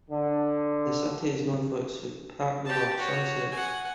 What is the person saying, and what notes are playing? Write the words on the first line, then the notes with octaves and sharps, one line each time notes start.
The city is known for its spectacular sunsets.
D3
G4 A5
F#4 C#5
F#5 G#5